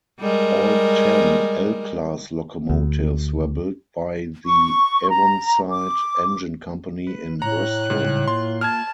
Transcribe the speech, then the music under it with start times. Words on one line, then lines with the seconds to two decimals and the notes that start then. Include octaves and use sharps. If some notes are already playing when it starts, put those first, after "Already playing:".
All ten L class locomotives were built by the Avonside Engine Company in Bristol.
0.20 G3 G#3 A#4
2.70 D2
4.45 C#6
5.10 A#5
5.70 D6
7.07 B4
7.42 A2 C#5 A#5 F#6
7.90 G#2 C#3 G3
8.28 A#3 F4 C6
8.61 A5 F6 G#6